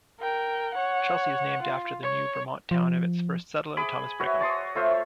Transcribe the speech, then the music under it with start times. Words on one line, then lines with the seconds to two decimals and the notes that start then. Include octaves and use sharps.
Chelsea is named after the New-Vermont town of its first settler, Thomas Brigham.
0.20 A#4 G5
0.75 C#5 F#5
1.63 F4
2.03 C#5
2.71 F3
3.77 G#4 G#5 B5 D6
4.19 F#4 B4 C#5 E5
4.40 C#5 A5 C6 D#6
4.75 A3 F4 C5 E5
4.91 C#5